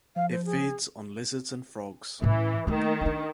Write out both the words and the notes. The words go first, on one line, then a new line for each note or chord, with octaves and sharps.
It feeds on lizards and frogs.
F3 F5
C5
G#4
A2 E3 C#4
D#3 A3 A#3
C#4 D4